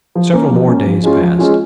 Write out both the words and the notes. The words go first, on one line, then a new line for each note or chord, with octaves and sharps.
Several more days passed.
F3
A#3 C#4
F3
A#3 C#4
F3
G#3 C#4 F4
F3
G#3 C#4 F4